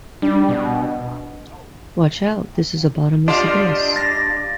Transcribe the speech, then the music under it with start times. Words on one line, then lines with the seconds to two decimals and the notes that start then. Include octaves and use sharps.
Watch out, this is a bottomless abyss!
0.22 G3 D4
0.49 B2
3.28 G3 D4 F4 D#5 C6
3.96 A6 A#6